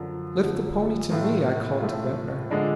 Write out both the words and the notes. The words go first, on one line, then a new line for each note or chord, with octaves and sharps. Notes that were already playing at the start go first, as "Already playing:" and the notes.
"Lift the pony to me," I called to Ventnor.
Already playing: F#2 D3 F3
F#2 D3 F3
A2 F3 A3 F4
A2 F3 A3 F4
D3 F3 G#3 D4